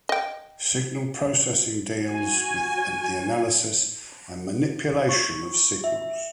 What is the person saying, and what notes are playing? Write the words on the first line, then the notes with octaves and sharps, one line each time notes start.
Signal processing deals with the analysis and manipulation of signals.
D#5 G5
F#4 G#5
C#6
E5